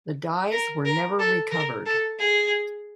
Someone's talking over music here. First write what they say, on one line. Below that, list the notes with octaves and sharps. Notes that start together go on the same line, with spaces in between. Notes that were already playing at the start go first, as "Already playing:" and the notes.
The dies were never recovered.
A#4
A#4
A4
A#4
A4
G#4